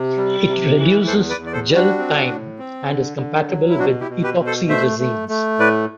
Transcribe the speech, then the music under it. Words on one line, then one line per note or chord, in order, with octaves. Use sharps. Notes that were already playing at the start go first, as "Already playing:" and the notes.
It reduces gel time and is compatible with epoxy resins.
Already playing: C3
G3
C3
E3
E2 A4 C5
B4 D5
E2
D5
A4 C5
G3
D4 F#4
C4
A2
C4
D3
D3
F#3
E4
B2 D4 F#4
E4 G4
B2
G4 B4
B2
A4 C5
A3 C5 E5
A3
A3
A2 B4 D5